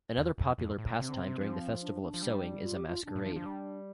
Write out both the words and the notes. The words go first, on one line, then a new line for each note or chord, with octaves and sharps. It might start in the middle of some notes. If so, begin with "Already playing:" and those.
Another popular pastime during the festival of sowing is a masquerade.
E2
F2
F2
A2
C3 C4
D3
C3
C3
F3
D4
F3
G3
F4
G4
F4
D4
A2
F3
F3
G3